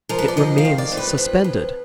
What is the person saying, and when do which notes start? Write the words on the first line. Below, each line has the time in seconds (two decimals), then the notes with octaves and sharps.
It remains suspended.
0.09 F3 A#4
0.18 B4
0.28 D5
0.37 D#3 D#5
0.58 F5
0.65 D#3
0.78 D5
0.92 F2
0.97 B4
1.18 F2
1.44 F2